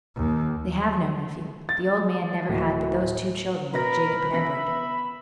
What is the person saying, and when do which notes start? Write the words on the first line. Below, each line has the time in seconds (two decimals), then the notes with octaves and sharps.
They have no nephew; the old man never had but those two children, Jacob and Edward.
0.16 D#2
1.69 A6
2.49 D1
3.73 B2 A#4 B4 D#5 B5 A#6
4.33 B3 E5 A#6 B6